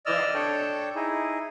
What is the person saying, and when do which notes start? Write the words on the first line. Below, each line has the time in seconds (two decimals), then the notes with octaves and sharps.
Right, yeah, it'll be fun.
0.06 D5 D#5 E6 F6
0.34 D4 A4 C#5 G5 A5
0.95 D#4 E4 G#4